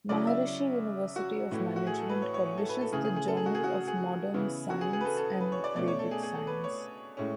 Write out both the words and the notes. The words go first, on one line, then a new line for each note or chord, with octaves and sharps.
Maharishi University of Management publishes the "Journal of Modern Science and Vedic Science".
C#3 F#3 C#4 E4 D5
E5
F#4
A2 E3 A3 E4
F#4
G#4
A4
B4
C#5
C#5
C#5
A4
B4
A4
C#3 E3 A3 G#4
G#4
G#4
A4
G#4
F#4
G#4
F#4
G#4
C#3 E3 B3 E4
F#4
G#4
G#4
B4
A4
A4
B4
C#5
D5
B2 A3 C#4 D5
C#5
A4
G#4
G#4
A4
B4
C#5
A2 G#3 C#4